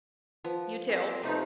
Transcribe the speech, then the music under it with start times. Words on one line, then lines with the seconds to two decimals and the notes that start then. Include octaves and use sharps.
You too.
0.44 F3 B3
0.89 E3 C4 A4 B4
1.23 C3 A3 D#4 B4 C5 D5